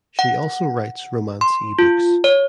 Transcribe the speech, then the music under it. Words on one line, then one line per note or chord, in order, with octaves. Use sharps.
She also writes romance ebooks.
F#5
C6
F4
C#5